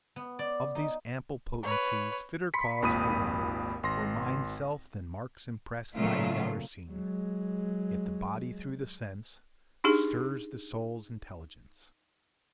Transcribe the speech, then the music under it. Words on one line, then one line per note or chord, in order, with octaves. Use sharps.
Of these ample potencies Fitter cause, I ween, Were Mind's self than marks impressed By the outer scene. Yet the body through the sense Stirs the soul's intelligence.
B3
D5
D#4
B4 C#5
B5 C6 B6 C#7
G#1 D#2 A#2 B5 D#6 D#7
G#1 C6 A#6
A#2 C#3 F#3 A3 B3 F4
F#3 G#3
D4 D#4 G4 G#4